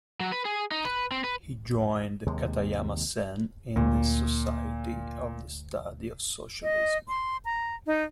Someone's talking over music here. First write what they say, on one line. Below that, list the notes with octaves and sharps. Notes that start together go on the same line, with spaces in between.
He joined Katayama Sen in the "Society of the Study of Socialism".
F#3
B4
G#4
D#4
B4
C4
B4
D#2 C3 G#3
D2 A#2
D#5
C6
A#5
D#4